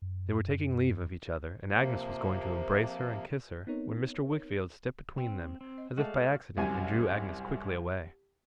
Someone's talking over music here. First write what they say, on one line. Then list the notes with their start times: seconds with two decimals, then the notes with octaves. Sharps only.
They were taking leave of each other, and Agnes was going to embrace her and kiss her, when Mr. Wickfield stepped between them, as if by accident, and drew Agnes quickly away.
0.02 F#2
1.73 C3 F3 A#3
3.67 B3 C4 D#4 A#4 C#5
5.18 C4 G5
5.61 C4
5.78 D#5
5.98 G#3 A3 F#4 D5 F5 F#5 A5
6.57 C2 F#2 G#5